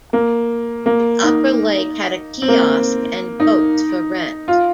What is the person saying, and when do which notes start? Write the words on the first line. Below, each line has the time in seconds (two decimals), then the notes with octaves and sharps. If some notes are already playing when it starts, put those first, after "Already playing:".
Its upper lake had a kiosk and boats for rent.
0.13 A#3
0.86 A#3
1.23 D#4
2.42 C4
2.48 A#3
3.40 D#4
4.48 F4